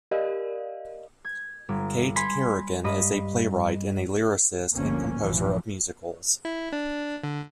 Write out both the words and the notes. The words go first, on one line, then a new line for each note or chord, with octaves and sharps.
Kait Kerrigan is a playwright and a lyricist and composer of musicals.
G4 A#4 D5 D#5 F5
G#6
G1
G#5 B5 C6 B6 C#7
G2 D#5 B5 D#7
G1 D2 D3 F3 A#3 C#4
A1 F#2 B2 E3 F3
E4
D4
D3